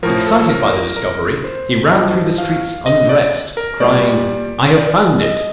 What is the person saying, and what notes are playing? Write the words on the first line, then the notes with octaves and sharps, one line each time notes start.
Excited by the discovery, he ran through the streets undressed, crying, "I have found it."
A2 F3 A#4
A4
A#4
A#4
A#4
C5
G2 F3 D#5
F5
D#5
D5
A#4
A#2 G3 D5
D5
D#5